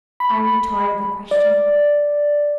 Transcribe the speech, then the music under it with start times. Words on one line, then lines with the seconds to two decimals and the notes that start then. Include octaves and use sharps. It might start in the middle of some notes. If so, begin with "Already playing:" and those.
I retorted the question.
0.20 B5
1.31 D5